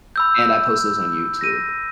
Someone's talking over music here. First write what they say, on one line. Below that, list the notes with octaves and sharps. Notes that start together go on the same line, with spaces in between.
and I post those on YouTube,
B5 E6 G6
G6 A#6 D#7